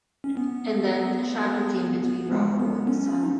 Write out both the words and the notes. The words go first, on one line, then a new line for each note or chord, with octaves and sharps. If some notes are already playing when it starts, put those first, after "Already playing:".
And then a shadow came between Rocco and the sun.
C#4
B3
B3
G#3
B3
C#4
D#4